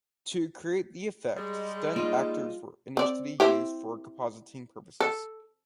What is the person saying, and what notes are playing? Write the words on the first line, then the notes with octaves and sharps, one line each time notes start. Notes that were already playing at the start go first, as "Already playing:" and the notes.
To create the effect, stunt actors were initially used for compositing purposes.
G3 G#3
A#3 D#4 F4 D#5
C4 D5
C4 E4 G4
A4